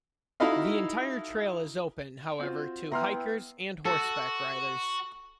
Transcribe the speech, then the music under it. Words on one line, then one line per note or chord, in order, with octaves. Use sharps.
The entire trail is open, however, to hikers and horseback riders.
D#4 E4 F#4 A4 D#5 F5
C4 F4 F#4
B3 E4 E5 G5 A#5 C6 F6
F#4 A4